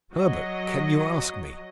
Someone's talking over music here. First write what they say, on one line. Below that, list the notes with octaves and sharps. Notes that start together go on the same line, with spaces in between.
"Herbert, can you ask me?"
F#3 D#5